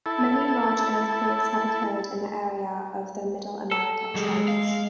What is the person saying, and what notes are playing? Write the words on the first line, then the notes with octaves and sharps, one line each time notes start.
Many large earthquakes have occurred in the area of the Middle America Trench.
E4 A4
A4
F#3 G#3 G4 G#4
F5